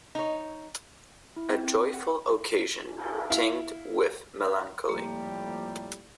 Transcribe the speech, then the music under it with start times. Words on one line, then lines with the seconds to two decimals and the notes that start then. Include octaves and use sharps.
A joyful occasion tinged with melancholy.
0.15 D#4 C#5
1.37 E4
1.49 C4
1.64 C4
1.94 F#5
3.30 E4 F5
4.89 F2 A2 F3 G3 A#3 G4 A#5